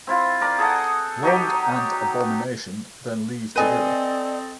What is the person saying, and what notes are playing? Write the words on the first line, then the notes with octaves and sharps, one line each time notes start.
Wong and Abomination then leave together.
C4 E4 F4
A#4 D5
G#4 A4 D#5 F#5
F#3 D#4 G4
C4 A4 B4 D5 D#5 G#5 D#7